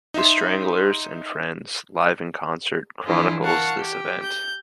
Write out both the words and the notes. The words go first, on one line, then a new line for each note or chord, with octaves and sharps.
"The Stranglers and Friends: Live in Concert" chronicles this event.
D#4 E5 C6
E3 D4 E4 F4 G#4
A#4 F5 F#5 A5 C#6
G4
G6